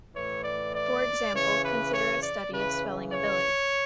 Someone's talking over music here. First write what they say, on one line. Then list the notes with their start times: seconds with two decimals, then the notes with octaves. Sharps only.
For example, consider a study of spelling ability.
0.15 A2 E3 C#5
0.44 D5
0.74 D5
1.33 C#3 E3 C#5
1.63 B4
1.93 C#5
2.22 D5
2.52 C#3 E3 B4
3.11 C#5